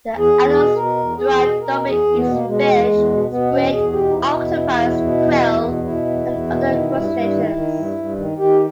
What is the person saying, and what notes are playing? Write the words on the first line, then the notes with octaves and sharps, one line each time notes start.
The adult striped dolphin eats fish, squid, octopus, krill, and other crustaceans.
E2
G#4
E2
G#4
B2
B2 A#4
E2
E2 G#4
B2
B2 A#4
E2
G#4
E2
B3
B2
A#3
B2 G#3
E2
E2
B2
B2 B3
E2 C#4
E2 G#4
G#4
B2 G4
D#4
B2 E4
E2
E2
B2
B2
E2
E2
B2
B2 E4
E2
E2
B2
D#3
G2
G2
D#3
D#3
G2
G2
D#3
D#3 G4